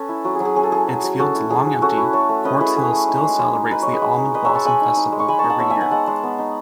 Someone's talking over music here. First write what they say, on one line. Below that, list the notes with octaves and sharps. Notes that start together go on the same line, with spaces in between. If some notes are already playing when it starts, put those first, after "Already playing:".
Its fields long empty, Quartz Hill still celebrates the Almond Blossom Festival every year.
Already playing: C#4 A4 B4
E4
F#3 F#4
G#4
F#3
G#4
C#4 G#4
A4
E4 G#4
F#3
F#3
C#4 F#4 A4
E4
F#3 G#4
F#3
C#4 F#4 A4
E4
A3 A4 C#5
A3
C#4 B4 D#5
E4 G#4 B4
A3 G#4
A3
D#4
G#3
G#3
D#4
D#4 B4
G#3 C#5
G#4 B4
G#3
D#4
D#4 B4 D#5
G#3 C#5 E5
A5 C#6
G#3 G#5 B5
D#4
D#4
G#3
C#6
G#3 G#5 B5
A5 C#6
D#4
F#5 A5
B3 C#5 E5
E5 G#5
D#4 F#5 A5
G#3 F#5 A5
G#3
B3
D#4